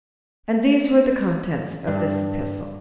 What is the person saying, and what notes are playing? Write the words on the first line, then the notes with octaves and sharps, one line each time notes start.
And these were the contents of this epistle.
G2 D4